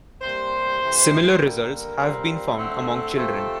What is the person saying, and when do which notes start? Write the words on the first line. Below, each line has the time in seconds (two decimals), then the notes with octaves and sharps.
Similar results have been found among children.
0.21 C3 G3 A#3 C5
0.80 C3 E3 A3
1.38 D3 G3 A#3 A#4
1.96 A#2 G3 C4
2.55 D3 A3 C4 A4
3.13 C3 F3 A3 C4